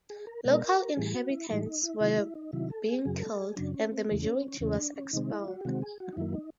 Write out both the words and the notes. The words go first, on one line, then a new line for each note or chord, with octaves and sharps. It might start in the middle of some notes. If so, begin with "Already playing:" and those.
Local inhabitants were being killed, and the majority was expelled.
G#4
A#4
B2 G#3 B3 A#4
A2 E3 G3 G#4
F#4
E4
A2 E3 G3 D#4
D#4
E4
C3 D#3 F#3 E4
E4
D#4
C3 D#3 F#3 E4
A4
G#4
F#2 C#3 F#3 G#4
A#4
A4
G#4
F#2 C#3 F#3 D4
C#4
C4
E2 C#3 E3 A3
C#4
C4
C#4
E2 C#3 E3 A3 C#4
D4
C#4
C3 D#3 G#3 C4 D#4
E4
F#4
G4
C3 D#3 G#3 C4 F#4
G#4
F#4
D#4
F#2 D#3 F#3 A#3 E4
D#4